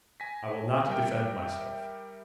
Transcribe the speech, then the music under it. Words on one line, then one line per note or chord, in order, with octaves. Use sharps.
I will not defend myself.
G#5 A#6 B6
G3 A#4 E5 G5